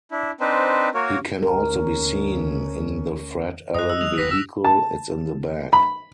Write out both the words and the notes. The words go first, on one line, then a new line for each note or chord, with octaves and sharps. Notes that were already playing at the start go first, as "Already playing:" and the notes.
He can also be seen in the Fred Allen vehicle, It's in the Bag!
D4 E4
C4 D4 D#4 B4 C5
A#3 F#4 A#4 C#5
D2 C#4 A#4
F#2 D#5 D#6 F#6
E6
F#3 G#3 F7
F#1 D3 B4 D#6 A#6 B6
E6
A5
B5